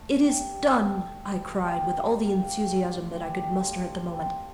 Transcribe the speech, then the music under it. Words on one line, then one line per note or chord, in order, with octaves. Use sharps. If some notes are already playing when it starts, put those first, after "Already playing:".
"It is done!" I cried, with all the enthusiasm that I could muster at the moment.
Already playing: A3 F5
G2 G3
G2 G3 D5
A4
G4
A2 A3
A2 G3
A2 A3 F4
G4
G4
G2 G3 A4
C5
D5
A2 G3 G5
F5
D5
G2 G3
A2 F3 A3 D5
C5
C3 F3 A3 G4
D4
G4
A2 A3 F4
A2 F3 A3
C3 F3 A3 C4